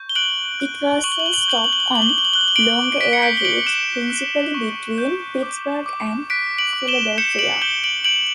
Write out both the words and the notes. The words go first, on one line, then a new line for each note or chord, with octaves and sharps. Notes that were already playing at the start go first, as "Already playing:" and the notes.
It was a stop on longer air routes, principally between Pittsburgh and Philadelphia.
Already playing: C#6 G6
G7
F#6 D7 F#7
F#6
C#6 F#7
G7
F#7
G7
F#7
G7
G6 F#7
G7
F#7
G7
F#7
G7
D6 F#7
G7
F#7
G7
F#7
F#6 G7
F#7
G7
D7 F#7
D6
B6 D7
C#7
G6 B6 D7
G7
D7 F#7
F#6 C#7 E7
F#6
C#6
G6
D6
D6
F#6 B6 D7
D7 F#7
D6
E7 G7
G6 C#7 E7
D7 F#7
G6 E7 G7
D7 F#7
G6 D7 F#7